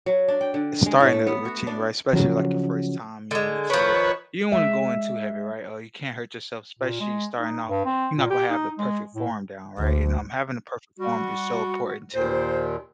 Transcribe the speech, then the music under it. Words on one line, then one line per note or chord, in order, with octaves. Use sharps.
starting a routine, right? Especially, like, your first time, you're new to it. You don't wanna go in too heavy, right, or you can hurt yourself, especially starting off. You're not gonna have the perfect form down, right? And, um, having a perfect form is so important to,
F#3
D4
G5
D3
G#3
A2
A3
B3
F#4
D4
C#3 F3 F#3
D3 G#3
D#3 F3 B4 C#5
G#3 E5
A#2
G#3
D#4
G2
C4
A#2
G4
D#4
G#3
A2
D2
G3 F#4
D#2 A#2 C5